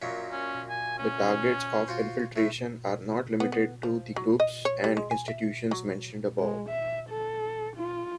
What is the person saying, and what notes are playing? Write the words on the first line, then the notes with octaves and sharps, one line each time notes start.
The targets of infiltration are not limited to the groups and institutions mentioned above.
F#2 A#2 F#3
C#4
G#5
C#4
F4 F#4 C5
A2 A3
B3
B3
F3
F#3
D#5
C#5
G3
G#3
G#5
E5
F#3
G#3
E5
A4
F4